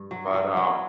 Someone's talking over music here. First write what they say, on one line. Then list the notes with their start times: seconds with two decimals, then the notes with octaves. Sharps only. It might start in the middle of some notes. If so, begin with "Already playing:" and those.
But, um
Already playing: G2
0.11 F#3 F#5
0.26 E5
0.34 F#3 G5
0.41 F#5
0.56 F#3 F#5